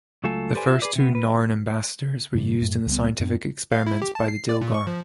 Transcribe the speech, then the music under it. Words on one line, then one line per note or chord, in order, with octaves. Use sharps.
The first two Narn ambassadors were used in scientific experiments by the Dilgar.
C#2 F#3 A3 F4 A4 G#5
G4 A4 B4 C5 D5 G#5
F4 F#4 E5
G#4 A4 B4 D5
C3 B3
B4
G2 C3 D#3 G3
F#2 A2 A3
C#2 G3 A3 B3
F#2 B3 D4
F5
E4
G4
A5
C7
D5
A#2
C#6
F3